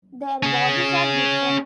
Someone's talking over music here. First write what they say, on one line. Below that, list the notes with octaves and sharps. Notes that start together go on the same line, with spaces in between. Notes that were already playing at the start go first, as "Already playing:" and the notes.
Their bodies are different.
C#4 G#4